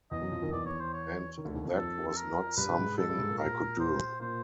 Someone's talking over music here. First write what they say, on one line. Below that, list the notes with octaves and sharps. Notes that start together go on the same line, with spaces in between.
And that was not something I could do.
E2 E3 D#5
F#2 F#3
F2 F3
D#2 D#3
E2 E3 D5
C#5
C5
C#5
D#3
D2 D3
D#2 D#3
F2 F3
A4
A4
A#4
G2 G3 B4
G#2 G#3
G#2 G#3 A4
G2 G3
G#2 G#3
A#2 A#3
A#4
C5
A#2 A#3 C5